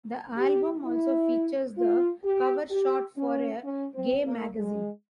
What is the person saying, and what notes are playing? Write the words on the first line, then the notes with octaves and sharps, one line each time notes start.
The album also features the cover shot for a gay magazine.
G4
E4
F4
G4
G4
C#4
C#4
C4
A#3
G#3